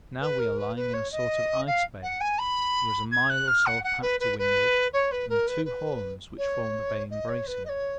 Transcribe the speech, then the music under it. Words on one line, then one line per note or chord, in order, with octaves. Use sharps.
Now we are lying in a sort of ice bay--there is a mile or so of pack to windward, and two horns which form the bay embracing us.
B4
A#4
B4
B4
C#5
D#5
F5
F#5
G#5
B5
G#6
F#6
F6
F#5
F#5
B4
B4
B4
C#5
B4
A#4
B4
B4
C#5
D#5
C#5
B4
D#5
C#5